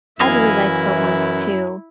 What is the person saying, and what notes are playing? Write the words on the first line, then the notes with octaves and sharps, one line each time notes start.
I really like her work too.
F#2 E3 E4 D#5 F5 G#5